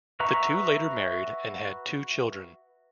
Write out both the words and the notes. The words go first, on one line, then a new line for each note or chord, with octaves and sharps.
The two later married and had two children.
F#4 B4 E5 A#5 C#6